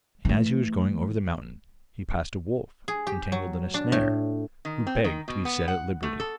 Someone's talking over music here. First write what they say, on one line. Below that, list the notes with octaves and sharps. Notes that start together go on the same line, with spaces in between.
And as he was going over the mountain he passed a wolf entangled in a snare, who begged to be set at liberty.
E3 A3
G#4
G4
F#3
D4
A2
D#3
C4
D#3
B2
B3
F#5
A3
A4